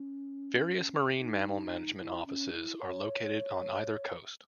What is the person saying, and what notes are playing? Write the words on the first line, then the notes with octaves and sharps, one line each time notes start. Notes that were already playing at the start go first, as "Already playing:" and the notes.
Various Marine Mammal Management offices are located on either coast.
Already playing: C#4
D#4
E4
C#4
E4
C#5